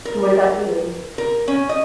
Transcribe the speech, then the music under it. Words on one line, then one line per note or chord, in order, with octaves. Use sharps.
And what about you?
A#4
A#4
C#4
D#5